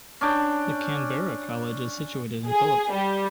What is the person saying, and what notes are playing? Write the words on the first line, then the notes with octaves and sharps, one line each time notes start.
The Canberra College is situated in Phillip.
C#4 D4 G5
G#4
G3